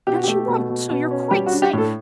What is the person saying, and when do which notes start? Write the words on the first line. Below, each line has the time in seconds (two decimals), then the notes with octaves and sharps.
'And she won't, so you're quite safe.'
0.07 B2 G4
0.15 F#4
0.24 A3 G4
0.48 B2
0.69 B2
0.90 B2
1.11 C#4
1.31 G3 G4
1.46 F#4
1.52 D4
1.62 G4
1.73 A2 A4